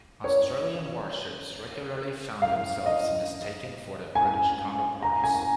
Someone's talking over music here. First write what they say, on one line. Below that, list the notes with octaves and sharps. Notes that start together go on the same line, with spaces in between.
Australian warships regularly found themselves mistaken for their British counterparts.
C#5
F5
D#5
G#5
A#5
G#5